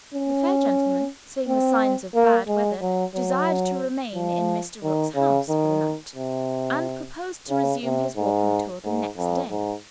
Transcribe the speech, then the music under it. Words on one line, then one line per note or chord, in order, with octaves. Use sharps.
The fair gentleman, seeing the signs of bad weather, desired to remain in Mr. Rook's house for the night, and proposed to resume his walking tour the next day.
C#4
C4
A#3
G#3
F#3
F#3
F3
D#3
C#3
D#3
C3
C#3
C3
G#2
G#2
F2
G#2